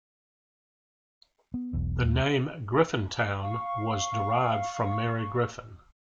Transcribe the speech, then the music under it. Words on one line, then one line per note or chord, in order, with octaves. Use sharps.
The name "Griffintown" was derived from Mary Griffin.
B3
E1 B1 E2
D#2 G#3
F5 C#6